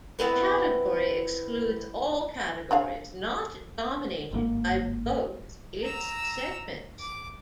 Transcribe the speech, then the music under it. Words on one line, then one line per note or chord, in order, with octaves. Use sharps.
A category excludes all categories not dominated by "both" its segments.
B3 C4 E4 B4
D4 G#4 F5
G1 G#2 C3 A#3
A#5 E6
D6